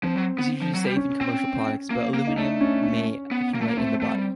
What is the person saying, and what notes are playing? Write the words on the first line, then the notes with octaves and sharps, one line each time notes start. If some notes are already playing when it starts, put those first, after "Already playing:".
It is usually safe in commercial products, but aluminium may accumulate in the body.
F3 C4
F#3
B3
F3
F#3
G3
C#4
C4
A#3
A#3
D#4
A3 D4
C#4
C#4
B3
A#3
A3
A#3
A3 C4
A3
G3